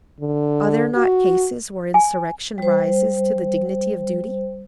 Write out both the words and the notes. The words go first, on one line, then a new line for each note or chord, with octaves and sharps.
Are there not cases where insurrection rises to the dignity of duty?
D3
F#4
G#5
G3 C5